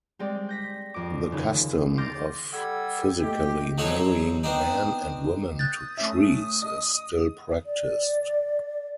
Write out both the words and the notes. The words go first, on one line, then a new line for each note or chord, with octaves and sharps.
The custom of physically marrying men and women to trees is still practiced.
G3 G#3 C4 D5
G6 A#6 B6
F2 D6
D#2 C#3
C6 D6 F6 G6 A6 A#6
G3 A4 F#5 E6 G#6
A3 A#3 G4 D#5
F3 F#3 D#4 F#4 A4 C#5
B3 C4 D4 D#4
D#6 F#6 G6 A6
A3 C#4 E5
D#5
D5